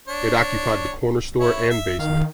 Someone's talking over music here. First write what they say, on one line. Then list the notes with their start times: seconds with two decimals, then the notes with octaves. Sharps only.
It occupied the corner store and basement.
0.08 D4 C#5
1.39 E4 C#5
1.70 E5
1.99 D#3 F5